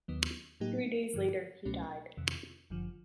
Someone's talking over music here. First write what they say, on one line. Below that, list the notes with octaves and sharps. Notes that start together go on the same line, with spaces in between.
Three days later, he died.
D#2 D#3 F#3 B3
A2 F#3 A#3 D#4 G4
G2 D3 F3
C#2 B2 F#3 A3 C#4
F2 C3 D#3
G1 F#2 D3 F3